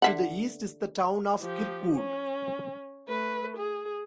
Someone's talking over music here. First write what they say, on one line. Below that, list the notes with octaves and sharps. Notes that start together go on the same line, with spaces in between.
To the east is the town of Kirkwood.
D3 E5 F#5
F3 G4
C#4
A3 B4
G#4